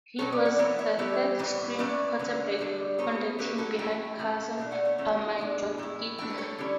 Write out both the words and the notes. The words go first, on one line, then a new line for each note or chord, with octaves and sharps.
He was the third-string quarterback on the team behind Carson Palmer and Jon Kitna.
B2 F#3 A3 C#4 A4 C#5
B4 D5
D5 F#5
E3 B3 E4 C#5 E5
C#5 E5
E3 G3 B3 C#5 E5
A2 E3 G3 B3
E3 A3 C#4 E4 B4 D5
D3 F#3 C#4
A2 G3 D4
C#3 F#3 B3 A4 C#5
F#3 C#4 E4 G4 B4
F#4 A4
E3 A3 C#4 E4 E5 G5
A2 E3 A3 C#4
B2 A3 D4
D5 F#5
C#5 E5
E3 A3 C#4 E4
A2 E3 B3 D4
A2 E3 E4
E3 A3 D4 E5 G5
B4
A4 C#5
D3 G3 C#4 E4